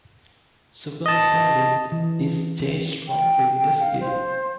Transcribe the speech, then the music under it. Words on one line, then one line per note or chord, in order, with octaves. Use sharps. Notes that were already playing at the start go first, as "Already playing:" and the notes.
Super Meter length is changed from previous game.
D#5 A5
E3
G5
G5
F5
C5